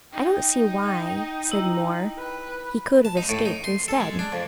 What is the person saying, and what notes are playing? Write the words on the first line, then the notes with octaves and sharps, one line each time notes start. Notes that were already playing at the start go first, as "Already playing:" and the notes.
"I don't see why," said Moore; "he could have escaped instead."
D#4 G5
E4 D#5 A#5
B4
A5
D#4
A2
D#4
C6
A4
G#3
D4
F2